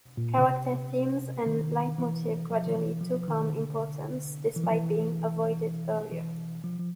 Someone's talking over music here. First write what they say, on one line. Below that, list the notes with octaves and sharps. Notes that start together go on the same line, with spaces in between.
Character themes and leitmotifs gradually took on importance, despite being avoided earlier.
A#2
C#3
C3
D#3
E3
F3
D#3
E3
F3
D#3
D3
E3
F3
E3
E3
F3
F3